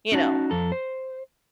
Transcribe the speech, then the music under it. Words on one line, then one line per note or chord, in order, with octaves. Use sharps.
You know?
C#4 D#4 F#4 B4 A5
F2 A4 A#5
C5